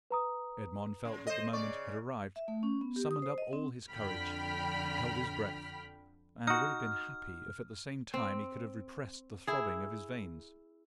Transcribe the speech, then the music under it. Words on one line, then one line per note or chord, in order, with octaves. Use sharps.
Edmond felt that the moment had arrived, summoned up all his courage, held his breath, and would have been happy if at the same time he could have repressed the throbbing of his veins.
B4 A#5 D#6
C#3
A4 C5 D#5 E7
C#3 D5 C#6
E5
A3
C#4
B3
G4
D#6
C5
D#5
C4
F2 D3 G5 B5 F6 B6
D#4 F#4 F6
C4
E4 G#4